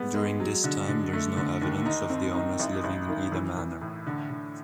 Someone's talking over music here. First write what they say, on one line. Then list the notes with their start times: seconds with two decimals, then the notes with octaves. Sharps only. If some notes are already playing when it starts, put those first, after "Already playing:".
During this time there is no evidence of the owners living in either manor.
Already playing: G3 G#3 B3
0.14 G#3
0.40 F#3
0.64 D3
0.88 D3
1.13 A3
1.37 D3
1.62 D#2
1.86 D#4
2.10 C4
2.34 D#4
2.60 A1
2.84 A1
3.08 D#3
3.32 E3
3.57 E3
3.81 A2
4.07 D3
4.30 D3